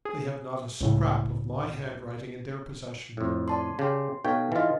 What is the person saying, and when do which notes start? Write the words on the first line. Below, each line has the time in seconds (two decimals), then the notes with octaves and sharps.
They have not a scrap of my handwriting in their possession.
0.05 G#4
0.81 C#2 A2 C#3
3.17 F2 A2
3.48 D5 A5 C6
3.79 C#3 G4 C6
4.25 B2 D#4 A4 C#5 F5 G5
4.52 E3 D#4 F4 D#5